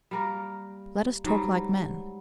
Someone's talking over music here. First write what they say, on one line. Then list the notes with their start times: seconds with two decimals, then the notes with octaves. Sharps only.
Let us talk like men.
0.11 G3 A#3 A#4
1.24 G#2 F#3 G3